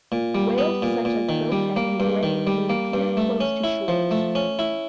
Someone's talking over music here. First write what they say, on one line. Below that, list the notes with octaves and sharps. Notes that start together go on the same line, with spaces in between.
Whales such as Bowhead and Gray may appear close to shores.
A#2
G3
B3
A#2
A#2
D#3
G3
A#3
G2
D#3
G3
A#3
G2
A3
C#4
E4
F3
A3
C#4
E4